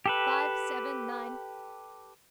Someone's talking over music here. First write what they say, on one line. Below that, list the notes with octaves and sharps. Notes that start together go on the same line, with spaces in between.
Five, seven, nine.
G4 A4 B4